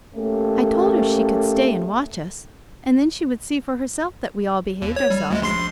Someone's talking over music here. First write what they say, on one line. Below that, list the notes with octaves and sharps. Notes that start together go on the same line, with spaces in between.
I told her she could stay and watch us, and then she would see for herself that we all behaved ourselves.
A3 A#3 C#4 G4 A4
D#2
C#5
G3
D2 G#3
A#1 C6 C7